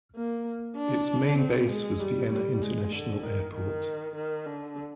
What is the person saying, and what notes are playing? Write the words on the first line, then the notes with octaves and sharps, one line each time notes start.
Its main base was Vienna International Airport.
A#3
D4
C4
G#3
G3
G3
G#3
D3
D#3
D#3
D#3
D3